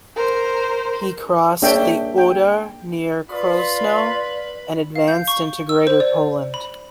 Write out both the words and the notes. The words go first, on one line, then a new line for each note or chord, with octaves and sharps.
He crossed the Oder near Krosno and advanced into Greater Poland.
A#4 C5
A#3 D4 G#4 C#5 E5 G5
G5
F4 B4 D5 B5
F5
G6
C#6
E6
C5
D5
B5